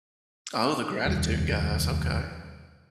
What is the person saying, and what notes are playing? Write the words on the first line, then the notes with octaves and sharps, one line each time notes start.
Oh, the gratitude guys. Okay.
F1 D#2 G3